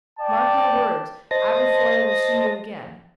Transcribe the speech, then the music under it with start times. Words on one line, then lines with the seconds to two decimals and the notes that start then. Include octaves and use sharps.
"Mark my words, Aberfoyle will see you again!"
0.19 D5 G5 A5
1.31 C5 D#5 A5 A#6